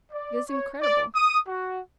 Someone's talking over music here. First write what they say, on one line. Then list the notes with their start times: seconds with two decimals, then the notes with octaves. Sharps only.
It is incredible!
0.12 D5
0.48 C#5
0.82 D5
1.15 D#6
1.48 F#4